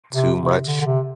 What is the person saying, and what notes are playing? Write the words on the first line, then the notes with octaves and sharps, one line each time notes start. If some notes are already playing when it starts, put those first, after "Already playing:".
too much.
C3
C3
D3
D3
C3